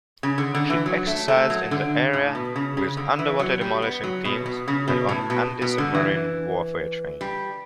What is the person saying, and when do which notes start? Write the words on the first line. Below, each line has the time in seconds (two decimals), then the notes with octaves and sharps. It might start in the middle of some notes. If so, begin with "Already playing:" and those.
She exercised in the area with Underwater Demolition Teams and on anti-submarine warfare training.
0.23 C#3
0.38 D3
0.55 D3
0.70 E3
0.86 F#3
1.07 A3
1.28 A3
1.50 F#3
1.71 D3
2.13 A2
2.35 B2
2.56 C#3
2.77 C#3
2.97 D3
3.19 E3
3.39 F#3
3.61 G3
3.82 B3
4.04 F#3
4.25 B2
4.46 B2
4.68 C#3
4.88 B2
5.09 A2
5.30 B2
5.62 B2
5.78 D3
5.94 E3
7.21 G3